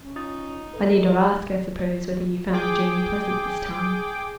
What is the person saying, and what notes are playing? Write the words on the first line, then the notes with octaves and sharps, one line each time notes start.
"I need not ask, I suppose, whether you found the journey pleasant this time?"
C#4
D#4 F4 D#6 A6
A4 B4 D#5
G#4 G5 D6